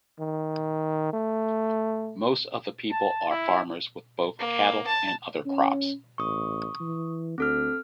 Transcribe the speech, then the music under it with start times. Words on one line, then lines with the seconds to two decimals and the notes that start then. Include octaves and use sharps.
Most of the people are farmers with both cattle and other crops.
0.19 D#3
1.13 A3
2.91 A5
3.31 E4
4.39 A#3
4.86 A5
5.46 C#4
6.18 A1 C#6 D#6
6.80 E3
7.38 D2 C4 A4 F6